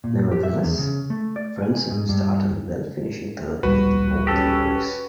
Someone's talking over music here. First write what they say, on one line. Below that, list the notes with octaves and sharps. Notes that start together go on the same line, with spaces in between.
Nevertheless, Frentzen started well finishing third in the opening race.
A#2
G4
E5
E2
C#3
A3
D5
G#5
G#2
G2
D1 A#1 G3 F#4 B4
C#4 G4 A4